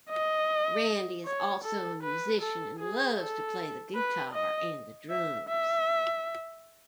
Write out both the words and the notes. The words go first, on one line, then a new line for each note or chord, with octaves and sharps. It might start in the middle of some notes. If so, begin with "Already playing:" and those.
Randy is also a musician and loves to play the guitar and the drums.
D#5
C#5
A4
B4
A4
G#4
A4
B4
D#5
E5
E5